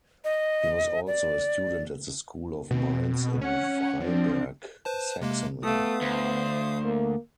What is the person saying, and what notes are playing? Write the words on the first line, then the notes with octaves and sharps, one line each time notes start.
He was also a student at the School of Mines in Freiberg, Saxony.
D#5
D5
B2 C4
C#4 C#5 F#5
F3 C4 D4
B4 C5 A5
C3 G#3 A#3
A3 B3 F5 D#6
D2 C5
A#3